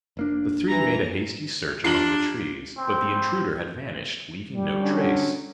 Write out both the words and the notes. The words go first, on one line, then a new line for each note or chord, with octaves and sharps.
The three made a hasty search among the trees, but the intruder had vanished, leaving no trace.
F1 A#3 D4
E3 A#5
D4 F4 G4 A#4 C7 F#7
C4
G3
D3 F#3 C#4